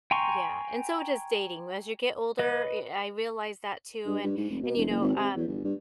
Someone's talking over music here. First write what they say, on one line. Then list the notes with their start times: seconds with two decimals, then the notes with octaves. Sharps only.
Yeah, and so does dating. As you get older, y I realize that too, and and, you know, um,
0.11 G5 G#5 A#5 C6 C#6
2.39 B4 D#5
4.06 G2
4.24 G2
4.37 G#2
4.50 F1
4.63 B2
4.77 E1
4.89 F#1
5.01 G#1
5.16 C3
5.35 E2
5.47 G1
5.64 G2